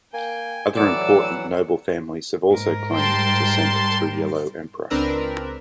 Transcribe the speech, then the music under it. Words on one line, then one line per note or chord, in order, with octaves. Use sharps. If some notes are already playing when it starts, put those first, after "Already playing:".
Other important noble families have also claimed descent through Yellow Emperor.
A#3 G5 G#5
A2 E3 F#3 D5 F#5 E6
G#2 A#4
G3 G5 A5 C6
C#2 C4 D4 A#4 B4 E6